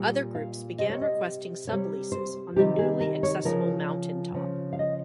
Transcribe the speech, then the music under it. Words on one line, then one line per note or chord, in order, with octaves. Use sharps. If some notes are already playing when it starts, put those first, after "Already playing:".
Other groups began requesting subleases on the newly accessible mountaintop.
Already playing: A#2 G3
F5
C3 G3 D#5
C#5
D#5
C3 G3 C#5
C5
C3 D#3 G3 G4
G#4
A#4
C#5
C#3 F3 A#4
C#3 F3
F5
D#5